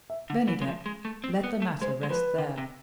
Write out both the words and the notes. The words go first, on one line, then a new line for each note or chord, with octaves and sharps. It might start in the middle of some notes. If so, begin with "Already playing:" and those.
Bennydeck let the matter rest there.
E5
D3
E3
G#3
F3
G#3
A3
C4
B3
A3
G#3 C5
G#3
F3 B4
D3
C3